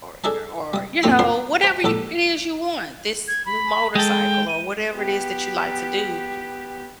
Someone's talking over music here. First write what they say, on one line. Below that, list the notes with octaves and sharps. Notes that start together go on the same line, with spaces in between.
or o or, you know, whatever you it is you want. This new motorcycle or whatever it is that you like to do,
D4 G#4 A4 D#5 A5
G3 D#6
F2 A2 A#3 G4 A#5 D#6
D4 F4 C5 G5 B5 C6
C5 A5
A#1 G#2 A4 A5 D6
G#6
B5
G#3 A4 G5
D#7
B3 G4